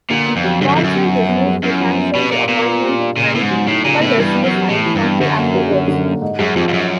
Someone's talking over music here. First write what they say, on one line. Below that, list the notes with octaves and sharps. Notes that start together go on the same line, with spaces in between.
Thompson refused to sanction the appointment and Cullis resigned shortly afterwards.
A#2 D3
B3
F2
F#3
G2 D3
F#2
F2 D3
F#2
B3
F3
B3
G#3
F#2 E4
F3
B3
B2 G3
A#2 D4
A#2 B3
F4
G3
D4
A#2 C#3
A2 B3
G#2
F#3
A2 D#4
A#2 C#3
A2 B3
G2 E3
B3
F#2
G3
A2 E3
E3
G2
B3
F#2 D3
A#3
F#3
D3
D3
A#3
G#2
F#2 G#3
F2 F3
F2
F#2 C#4